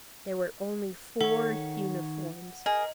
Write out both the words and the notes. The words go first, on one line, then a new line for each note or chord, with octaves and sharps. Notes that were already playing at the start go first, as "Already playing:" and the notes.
There were only four uniforms.
D#3 A4 C#5 F#5
G#4 A#4 D#5